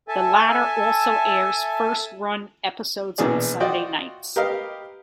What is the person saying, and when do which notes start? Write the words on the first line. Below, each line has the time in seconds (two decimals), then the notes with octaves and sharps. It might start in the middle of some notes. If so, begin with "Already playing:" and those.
The latter also airs first run episodes on Sunday Nights.
0.08 A4 E5 G#5 A5
3.18 A#1 B2 E3 B3 G#4 D5
3.60 F4 F#4 D5 D#5 G5
4.36 G4 A#4 B4 D#5 F5